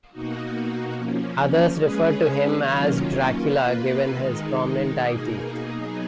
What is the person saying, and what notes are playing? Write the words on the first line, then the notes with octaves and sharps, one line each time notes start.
Others refer to him as Dracula, given his prominent eye teeth.
B2 A#3 D#4 F#4
F3 A#3 C#4
G#3 C#4 G#4 B4
D#3 F#3 A#3 C#4 F4
A#3 F4 B4
D#3 G#3 D#4
B2 A#3 D#4 G#4
F#3 B3 D#4 G#4